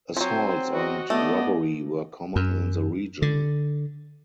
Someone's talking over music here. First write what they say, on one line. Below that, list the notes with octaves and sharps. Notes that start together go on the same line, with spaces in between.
Assaults and robbery were common in the region.
F3 F#3 C4 C5 G#5
F#4 D#5
A3 B3 D5 D#5
F#2
D3